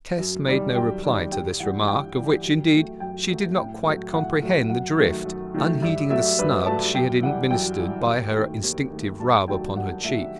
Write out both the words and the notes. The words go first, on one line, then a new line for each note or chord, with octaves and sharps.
Tess made no reply to this remark, of which, indeed, she did not quite comprehend the drift, unheeding the snub she had administered by her instinctive rub upon her cheek.
F#2
D#3 G3
F#2 G5
D#3 G3
G2 G5
E3 G3 F#5
G2 G5
E3 G3
F#2
F#3 A3
F#2 G5
F#3 A3
A2 G5
F#3 A3
A2 F#5
F#3 A3
F#2 F#5
D#3 F#3 A3
F#2
D#3 F#3 A3
G2 E5
F#3 A3 E5
G2 B4
F#3 A3 A5
F#2 G5
E3 G3 F#5
F#2 G5
E3 G3
D#2
D#3 A3
D#2
D#3 A3
G2 A5
D#3 F#3 A3 G5
G2 F#5
D#3 F#3 A3 E5